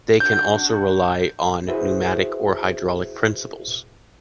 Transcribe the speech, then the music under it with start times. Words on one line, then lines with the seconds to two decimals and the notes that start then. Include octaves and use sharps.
They can also rely on pneumatic or hydraulic principles.
0.20 D4 F#4 G6
1.68 E4 F#4 G#4 B4 C5 E5